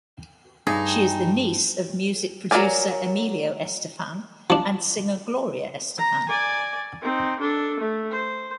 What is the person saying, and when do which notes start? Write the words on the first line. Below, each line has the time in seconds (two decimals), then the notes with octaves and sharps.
She is the niece of music producer Emilio Estefan and singer Gloria Estefan.
0.67 G2 D#4 G#4
2.51 F#3 D4 A#4 D5 G#5
4.50 F3 D4
5.98 A#5
6.29 D5 G#5
7.02 C4 D#4
7.40 D4 A4
7.80 A3
8.11 C5